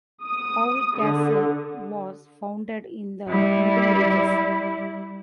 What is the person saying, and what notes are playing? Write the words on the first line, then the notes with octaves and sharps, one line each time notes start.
Pau Castle was founded in the Middle Ages.
D#6
D3
G3 E4